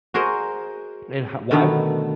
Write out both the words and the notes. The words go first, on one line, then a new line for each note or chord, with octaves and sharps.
And ho why
F#4 G#4 A#4 C5 D#5
B2 D3 D#3 A3 B3